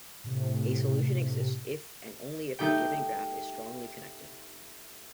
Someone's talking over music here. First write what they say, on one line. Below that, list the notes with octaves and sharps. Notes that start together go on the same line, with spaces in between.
A solution exists if and only if the given graph is strongly connected.
A2 C3
A3 D#4 G4 G5